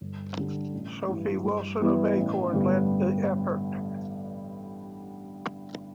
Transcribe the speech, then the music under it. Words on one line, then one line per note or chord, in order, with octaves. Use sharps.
Sophie Wilson of Acorn led the effort.
G1
G2 D3 G3 D4
A1
G2 E3
G2
E3 G3 B3 E4
A1
G2 D3 G3 B3